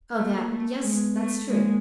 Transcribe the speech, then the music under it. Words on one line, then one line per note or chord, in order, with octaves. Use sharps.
"Oh, that,--yes, that's true."
A3 A#3
A3
G#3 B3
A3
G#3 A#3